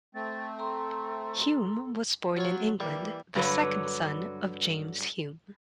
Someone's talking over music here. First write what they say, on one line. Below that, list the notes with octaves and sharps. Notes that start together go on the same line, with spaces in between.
Hume was born in England, the second son of James Hume.
A3 C4 A6
A4 A#5 C6
F#3 F4 C#5
E3 G3 A#3
G2 D3 F#3 B4